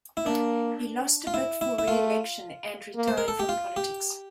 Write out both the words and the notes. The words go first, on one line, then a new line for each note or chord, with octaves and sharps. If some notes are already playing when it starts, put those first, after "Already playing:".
He lost a bid for reelection and retired from politics.
E4
A#3 D4
F4
E4
E4
E4
A3 F4
A#3
C5
A#4
A4
G4
F4
G4